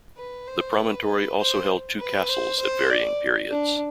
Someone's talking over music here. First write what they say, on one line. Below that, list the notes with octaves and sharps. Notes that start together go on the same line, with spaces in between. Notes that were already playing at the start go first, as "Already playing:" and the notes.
The promontory also held two castles, at varying periods.
B4
C5
B4
C5
B4
C5
C5
D5
D4